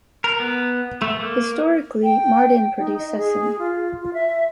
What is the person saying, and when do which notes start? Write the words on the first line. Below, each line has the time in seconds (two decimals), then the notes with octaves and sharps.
Historically, Mardin produced sesame.
0.24 A#4
0.40 B3
1.02 A3
1.20 A#3
2.03 G5
2.78 D#4
2.99 D#5
3.17 G#4
3.59 F4
4.00 F4
4.13 E5